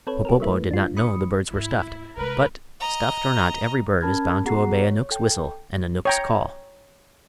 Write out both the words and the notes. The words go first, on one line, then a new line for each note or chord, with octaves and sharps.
Popopo did not know the birds were stuffed; but, stuffed or not, every bird is bound to obey a knook's whistle and a knook's call.
C4 A4 B4 C#5
G4 A4 A#4
F#3 G#3 A3 E4 B4
D4 F4
B5 D#6 C#7
D2 G#2 E4
C3 G#3 A#4 B4
D#5 A#5
C#4 A#4 A5 B5 F6 G#6
B3 F#4 G#4 F#5 A#5 C7
C#5
A4 G5
C#5 G5 A#5